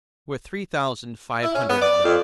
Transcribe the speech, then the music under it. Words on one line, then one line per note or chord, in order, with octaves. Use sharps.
There were three thousand five hundred of them.
E4
C#4
B3
D5
F2